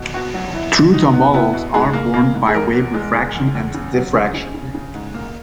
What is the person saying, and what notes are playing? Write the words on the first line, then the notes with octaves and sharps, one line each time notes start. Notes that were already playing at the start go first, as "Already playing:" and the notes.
True tombolos are formed by wave refraction and diffraction.
Already playing: B2
B3 F#4
F#3
B2 E4
B2
B2 D#4
B3
B3 E4
B2
G#2 G#4
A#3
A#3
G#2
G#4
E2 A#4
B3
G#3
G#3
E2
E2
C#3
F#3
C#3 G#4
C#3
C#3
C#3
G#2
A#3